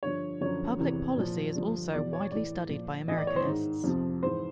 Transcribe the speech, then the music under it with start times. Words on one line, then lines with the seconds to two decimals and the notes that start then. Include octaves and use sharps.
Public policy is also widely studied by Americanists.
0.03 G2 D3 F3 C#5
0.41 F#2 D3 F3 C#5
0.79 E2 C3 E3
1.17 A#2 F3
1.55 G2 D3 F3
1.93 E2 B2 D5
2.13 C#5
2.32 A2 E3 D5
2.70 A#2 F3
3.08 A2 E3 D#5
3.18 D5
3.27 C#5
3.36 C5
3.46 G#2 D#3
3.84 F2 C3 F3
4.22 G#2 E3 C5